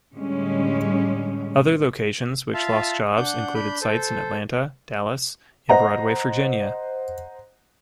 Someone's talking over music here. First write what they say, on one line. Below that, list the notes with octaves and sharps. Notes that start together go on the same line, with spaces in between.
Other locations which lost jobs included sites in Atlanta, Dallas, and Broadway, Virginia.
A2 D3 G3 G#3 C#4
F4 E5 F5 A5
D4 F#5 G6
D4 B5 G6
A4 C5
C5 D#5 F#5 A#5